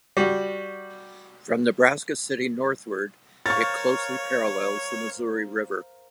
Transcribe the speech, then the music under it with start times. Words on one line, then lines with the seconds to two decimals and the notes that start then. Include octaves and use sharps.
From Nebraska City northward, it closely parallels the Missouri River.
0.17 G3 F#4
3.46 A#4 C5 C#5 F5 C#6 A6